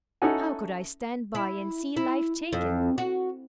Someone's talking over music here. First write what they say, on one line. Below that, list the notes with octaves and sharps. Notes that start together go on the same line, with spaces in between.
How could I stand by and see life taken?
C#4 D#4 E4 A4 F#5 G#5
E4
E4
F2
F#4